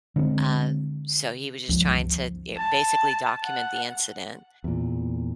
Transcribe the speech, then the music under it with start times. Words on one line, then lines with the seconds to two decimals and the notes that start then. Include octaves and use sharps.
um, so, he was just trying to, eh, basically document the incident,
0.16 D3 G#3 A#3 C4
1.68 G1 C#2 F3
2.57 A5
3.45 F#5
4.64 E2 A#2